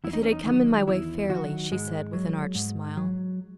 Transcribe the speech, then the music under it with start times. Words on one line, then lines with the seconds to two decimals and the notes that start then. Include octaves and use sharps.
"If it had come in my way fairly," she said with an arch smile.
0.04 E2 E4
0.13 D#4
0.23 C#4
0.32 D#4
0.46 D#3 F#3
0.87 E2 E4
1.29 D#3 F#3 F#4
1.71 G#2 G#3
2.13 F#3
2.55 G#2
2.97 F#3